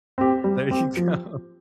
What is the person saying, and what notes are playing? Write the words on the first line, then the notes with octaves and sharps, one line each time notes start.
There you go.
C4 G4
G3
C4 G4
F3